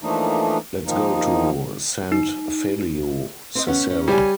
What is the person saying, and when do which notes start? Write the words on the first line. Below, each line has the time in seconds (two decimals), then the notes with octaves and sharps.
Let's go to Sant Feliu Sasserra.
0.02 E3 F3 A3 A#3 D4 D#4
0.86 D#3 F3 A#3 D#4
2.12 D#4
3.55 C4 C5 D#5
3.67 B3 C#4 F#5
3.90 C#4
4.08 G3 C#5 D5 G#5